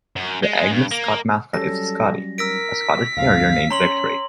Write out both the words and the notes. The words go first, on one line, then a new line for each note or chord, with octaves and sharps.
The Agnes Scott mascot is a "Scottie," a Scottish Terrier named Victory.
F#2
G#3
G2
A#3
F#3 G3 C#4 A4 A#6
A#4 E6 A#6 B6 D7
D2 G2 F5
C#4 C#5 A#5 C6 F#7